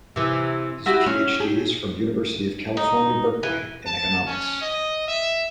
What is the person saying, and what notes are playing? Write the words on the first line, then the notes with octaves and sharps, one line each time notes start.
His Ph.D is from University of California, Berkeley in economics.
C3 E3
E4 F#4 G4
C#4
G4 G#4
D#4
E3
A5
C#4
D#5
E5